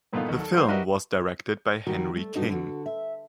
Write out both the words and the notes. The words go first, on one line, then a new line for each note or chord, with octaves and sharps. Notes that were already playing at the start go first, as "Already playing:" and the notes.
The film was directed by Henry King.
G2 A#2 A3 B3 D#4 F4
D#2 F#3
A4
F#3 C5
F#4 G4 A#4 B4 D#5 E5
D#3 G3 F#4 A#4
A3
G2 D4 D#4 F#4 D#5
D3 F#4
E5